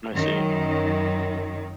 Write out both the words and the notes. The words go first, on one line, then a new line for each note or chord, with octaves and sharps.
I see.
F#2 D#3